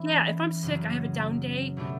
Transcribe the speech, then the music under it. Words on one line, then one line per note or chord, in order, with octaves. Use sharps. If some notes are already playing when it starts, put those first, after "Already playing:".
yeah, if I'm sick, I have a down day,
Already playing: E3 G3 C#4 E4
F#2 C#3 F#3
B2 A3 D4 G4